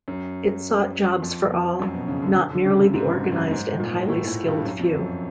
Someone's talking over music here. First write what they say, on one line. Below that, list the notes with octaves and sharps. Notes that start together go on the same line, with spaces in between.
It sought jobs for all, not merely the organised and highly skilled few.
F#2
F2
F2
F#2
B2
C#3
D3
D3
D3
C#3
C3
G#2
F#2
G#2
A#2
A2
A2
G2
F#2
F2
F#2